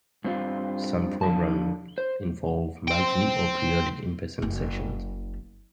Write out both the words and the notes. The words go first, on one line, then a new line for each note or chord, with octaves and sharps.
Some programs involve monthly or periodic in-person sessions.
G2 C4 F4
D3 F3 A5
C5
C5 G5
F#1